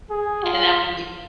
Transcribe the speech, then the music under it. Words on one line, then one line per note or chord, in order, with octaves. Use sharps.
And that would be
G#4
F4